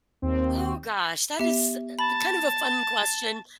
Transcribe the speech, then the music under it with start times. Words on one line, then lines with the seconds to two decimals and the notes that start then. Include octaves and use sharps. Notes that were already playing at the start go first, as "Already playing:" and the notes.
Oh gosh. That is, uh, kind of a fun question.
0.22 D#2 C4
1.39 B3 G4 E5
1.99 A5 B5